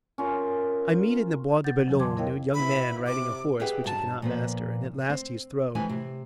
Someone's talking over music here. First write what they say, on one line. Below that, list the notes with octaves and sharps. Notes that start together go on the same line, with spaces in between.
I meet in the Bois de Boulogne a young man riding a horse which he cannot master, and at last he is thrown.
C#4 F4 A#4
B2 F#5 G6 A6
F2 C#3 E3 F#3
G#5 A5 C6 D6 G#6
E4 A#4 C#5 D#5 F5 G5
B2 E4 B5
C3 D6
G4 G#4 B4 E5 F#5 G5
G2 F#3 F4 A4 A5
A#2 F3 B3
C4
F2 E3 G3 A3 C#4 G#5
C3